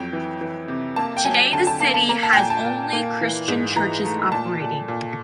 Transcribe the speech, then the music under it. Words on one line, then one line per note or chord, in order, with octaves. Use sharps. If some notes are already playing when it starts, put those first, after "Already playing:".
Today the city has only Christian churches operating.
Already playing: F2 F#3 G5
E3
E3
C3
A#3 A5
G5
F#3 G#5
D3 A5
A5
A#3 A5
A5
A#3 A#5
A5
G5
A#2 G#5
A5
A#2
A#3
E3
G#2
E3 A#5
A3
A#2 A5
A#2
A#2